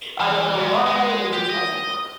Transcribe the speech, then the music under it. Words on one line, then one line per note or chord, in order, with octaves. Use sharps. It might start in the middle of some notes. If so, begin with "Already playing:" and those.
I don't know why, it just hasn't worked.
E3
G#2
G#3
G4
D#5